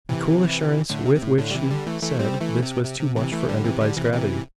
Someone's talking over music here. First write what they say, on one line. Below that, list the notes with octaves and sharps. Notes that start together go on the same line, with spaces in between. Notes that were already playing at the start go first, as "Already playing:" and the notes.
The cool assurance with which she said this was too much for Enderby's gravity.
C3 E3
A2 D3
C3
C3
A2
A2 D3
G3
C3 E3
D3 G3
E3 A3
E3 A3
G3 C4
E3 A3
C3
C3
C3
C3 E3
E3 A3
D3 G3
C3 E3
D3 G3
C3 E3
C3 E3